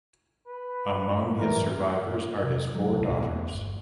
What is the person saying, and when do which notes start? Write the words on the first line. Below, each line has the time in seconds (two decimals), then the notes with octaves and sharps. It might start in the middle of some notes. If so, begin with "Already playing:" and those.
Among his survivors are his four daughters.
0.47 B4
1.39 F#2 E3 G3 A#4
2.44 C3
2.75 F#3
2.90 D#1 C#2 B2
3.17 E2 A3 B3
3.51 G1